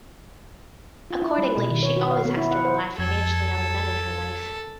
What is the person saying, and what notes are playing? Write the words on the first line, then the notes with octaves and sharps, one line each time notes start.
Accordingly, she always has to rely financially on the men in her life.
F4
E4
G3
B2
D#3
C#5
F#4
F5
B3
E4
F#5
C5
F2 A4 G#6